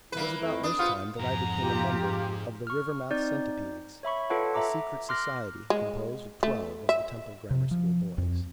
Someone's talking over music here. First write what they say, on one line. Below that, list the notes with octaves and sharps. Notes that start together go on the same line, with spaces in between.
It was about this time that I became a member of the Rivermouth Centipedes, a secret society composed of twelve of the Temple Grammar School boys.
E3 G3 A#3 E4 B4
F2 A3 E4
D4 D#6
B3 F4 C5 F#5
F2 G#2 A#5
F4 G4
C#6 F6
C4 D#4 D5 G6
C#5 E5 B5 C#6
F4 A4 B4 C#5 F#5 A5
E5 A#5 D6
C6 D6 F6 F#6 A#6
G#3
A3
E5
C3
F3
F2